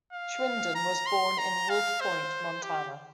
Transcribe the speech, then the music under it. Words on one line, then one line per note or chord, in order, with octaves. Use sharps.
Schwinden was born in Wolf Point, Montana.
F5
A#5
C6
A#5
F5
C5
G4